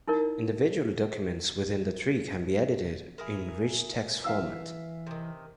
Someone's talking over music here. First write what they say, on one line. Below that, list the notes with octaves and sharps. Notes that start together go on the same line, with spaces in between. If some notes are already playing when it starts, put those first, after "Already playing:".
Individual documents within the tree can be edited in Rich Text Format.
D#4 E4 A#4 D5
E4 G#4 A#4
E3 E5 F5 E6
C3 D#3